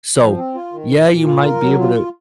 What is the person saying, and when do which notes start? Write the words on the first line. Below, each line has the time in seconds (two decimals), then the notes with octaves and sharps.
so, yeah, you might be able to
0.21 F3
0.37 C4
0.55 F4
0.72 D#3
0.91 A#2
1.08 A#2
1.26 F4
1.43 A#4
1.61 F#3
1.79 F4